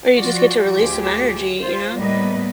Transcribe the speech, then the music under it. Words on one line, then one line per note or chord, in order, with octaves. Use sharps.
Or you just get to release some energy. You know?
F3 F4 F#4 D5
D2 F4 G4 G#4
F4 C5
A2 G3 A#3 B3 B4 D#5